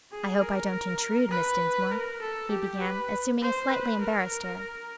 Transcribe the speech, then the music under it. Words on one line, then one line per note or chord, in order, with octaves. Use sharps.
"I hope I don't intrude, Miss Dinsmore," he began, assuming a slightly embarrassed air.
G#4
A#4
B4
A#4
A4
G4
B4
C5
B4
A#4